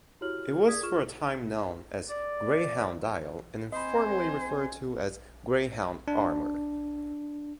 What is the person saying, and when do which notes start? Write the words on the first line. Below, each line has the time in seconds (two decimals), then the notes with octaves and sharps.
It was for a time known as Greyhound-Dial, and informally referred to as Greyhound-Armour.
0.21 E4 F#4 G4 C#5 F6 F#7
0.67 G#4 D5 D#6 G#6 B6
0.83 F4 G#4 C#6 F6 E7
2.10 D5
3.72 C4 C5 D#5 G#5 B5
6.08 D4